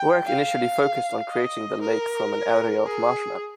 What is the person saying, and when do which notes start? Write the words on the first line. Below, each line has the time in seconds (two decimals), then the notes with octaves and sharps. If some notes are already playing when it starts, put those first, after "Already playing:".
Work initially focused on creating the lake from an area of marshland.
Already playing: G5
0.25 F5
1.30 D#5
1.82 A#4
2.86 G#4